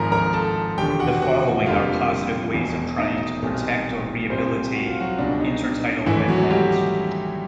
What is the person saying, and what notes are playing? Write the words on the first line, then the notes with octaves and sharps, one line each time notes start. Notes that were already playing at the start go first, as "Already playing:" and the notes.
The following are positive ways of trying to protect or rehabilitate intertidal wetlands.
Already playing: G#1 G#2 F3 A#4 A#5
A#4 A#5
A4 A5
E1 D#2 D3 G4 G5
F#4 F#5
F#4 F#5
F1 F2 D3 G3 A#3 F4 F5
E1 E2 B2
D#4 D#5
B1 A#2 G3 C4
C2 A#2 G3 C4 C5
F#4
F4
F#3 F#4
C#2 B2 G3 D4
D#4
G#1 G#2 E3 A3 E4
F#3 F#4
G3 G4